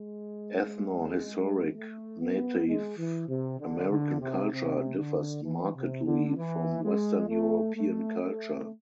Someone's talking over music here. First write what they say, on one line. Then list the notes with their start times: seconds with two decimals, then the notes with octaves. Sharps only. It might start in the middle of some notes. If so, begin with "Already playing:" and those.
Ethnohistoric Native American culture differs markedly from Western European culture.
Already playing: G#3
1.74 A3
2.20 B3
2.66 G#3
2.97 E3
3.28 C3
3.59 D3
3.90 D3
4.20 C3
4.51 C3
4.98 D3
5.43 E3
5.75 C3
6.05 D3
6.36 E3
6.83 G#3
7.28 A3
7.75 A3
8.22 A3